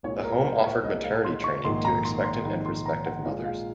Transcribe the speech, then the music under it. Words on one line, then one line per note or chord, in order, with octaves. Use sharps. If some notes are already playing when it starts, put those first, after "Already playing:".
The Home offered maternity training to expectant and prospective mothers.
C2 A#2 G#3 C#5
A#4
C5
C#5
C2 A#2 G#3 D#5
F5
C6
C#6
A#1 G#2 D#3 A#3 C6
A#5
C6
C6
A#1 G#2 D#3 A#3 A#5
C6
A#5
F#5
A#1 A#2 F3 G#3 F5
F5